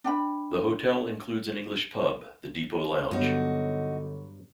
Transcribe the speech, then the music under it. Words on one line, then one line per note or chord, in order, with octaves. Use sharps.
The hotel includes an English pub, The Depot Lounge.
D4 G5 B5
G2 D3 F#3 B3 D#4 F#4 C#5